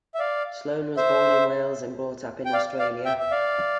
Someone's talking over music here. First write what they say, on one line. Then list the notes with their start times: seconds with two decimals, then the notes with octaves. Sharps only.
Sloane was born in Wales and brought up in Australia.
0.14 E5
0.19 D5 F5
0.97 C5 E5
2.45 G5
2.53 D5 F5
2.79 D5 F5
3.05 E5 G5
3.20 E5
3.31 D5 F5